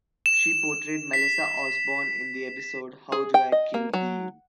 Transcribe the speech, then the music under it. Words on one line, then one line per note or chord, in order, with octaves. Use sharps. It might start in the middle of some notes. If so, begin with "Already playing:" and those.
She portrayed Melissa Osborne in the episode How Do I Kill Thee?
E7
B6
G#4
G5
D#5
A#3
F#3